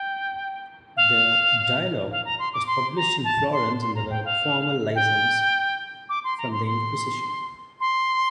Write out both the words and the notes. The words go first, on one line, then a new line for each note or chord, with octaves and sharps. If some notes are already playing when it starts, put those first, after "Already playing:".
The "Dialogue" was published in Florence under a formal license from the Inquisition.
Already playing: G5
F5
F5
A#5
C6
D6
C6
A#5
A5
C6
C6
A#5
G5
F5
G5
D6
C6
A#5
C6
C6
C6